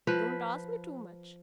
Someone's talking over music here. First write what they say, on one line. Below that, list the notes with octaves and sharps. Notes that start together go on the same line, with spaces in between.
'Don't ask me too much.
F3 B4